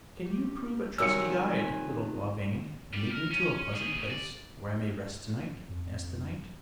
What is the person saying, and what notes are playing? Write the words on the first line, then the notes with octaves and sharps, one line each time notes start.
"And can you prove a trusty guide, little Gauvain, and lead me to a pleasant place where I may rest to-night?" asked the knight.
G4
C3 D#3 F#3 G3 F4 G#5 E6 C#7
G3 D5
A#4
C#4
A2 G#4
D5
F2